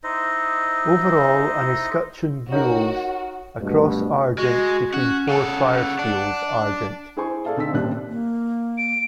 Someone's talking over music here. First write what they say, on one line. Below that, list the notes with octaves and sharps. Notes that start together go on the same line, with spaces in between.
Overall an escutcheon Gules, a cross Argent between four firesteels Argent.
D#4 E4 C5 D#5
D#4 F#4 G4 A#4 C#5 F#5
D2 G2 B2
G#3 F#4
C#4 F#4
C#3 A4 F#5
D4
E4 G#4 C5 G#5 C#6
G#4 A4 D5 F5 A5
D2 C4 D#4 A5 E6 B6
A1 D#2 G3 C4 F#6
A#3
D7